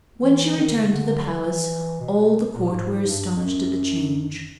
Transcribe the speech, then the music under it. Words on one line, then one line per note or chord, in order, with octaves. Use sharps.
When she returned to the palace, all the court were astonished at the change.
E3
D#3
D3
C#3
D3
E3
B2
A#2
G#2
G2
F2
F#2